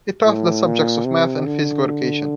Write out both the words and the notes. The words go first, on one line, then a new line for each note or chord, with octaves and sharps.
He taught the subjects of math and physical education.
A2
A#2
C3
D3